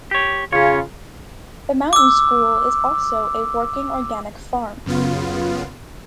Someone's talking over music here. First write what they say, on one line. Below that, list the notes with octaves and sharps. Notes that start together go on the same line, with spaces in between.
The Mountain School is also a working organic farm.
G4 C#5
C#3 C#4 F4 C#5
D6 E6
F#2 C#3 B3 F4